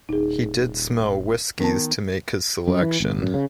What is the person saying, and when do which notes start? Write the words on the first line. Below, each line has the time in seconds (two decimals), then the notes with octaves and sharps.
He did smell whiskies to make his selection.
0.09 D#1 D#4 G#4
1.60 D#3 B3 A#4 A5
2.68 F#2
2.82 E3
3.00 G1
3.22 F#2
3.34 C#3